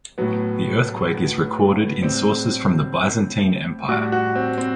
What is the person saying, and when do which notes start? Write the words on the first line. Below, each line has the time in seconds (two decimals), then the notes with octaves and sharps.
The earthquake is recorded in sources from the Byzantine Empire.
0.18 A2 F#3 B3
2.03 A2 G3 C4
3.88 A2 G3 F#4
4.12 F#4
4.35 C4
4.58 C4